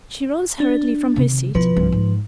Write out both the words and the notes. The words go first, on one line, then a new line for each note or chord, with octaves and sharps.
She rose hurriedly from her seat.
D4
C3 D#3
B2 F3 E4 B4
C2 G2
G#2